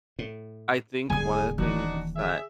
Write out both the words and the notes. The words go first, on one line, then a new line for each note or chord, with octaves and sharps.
I think one of the things that
A2
D#1 G#2 D3 G3 G#4 G#5
D#3 E3 D4 D#4 F#4
G#4 E5